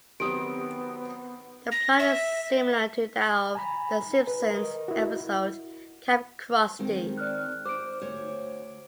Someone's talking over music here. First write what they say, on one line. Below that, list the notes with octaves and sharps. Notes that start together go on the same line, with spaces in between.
The plot is similar to that of "The Simpsons" episode "Kamp Krusty".
D#3 F#3 B3 C4 G4 D#6 D7
A#6
E5
G#5 A#5 B5
B4
A#4 D#5
E4 F#4
D#3 G#3 C4
D5 F6 F#6
C5 D6 D7
D2 C5 C#5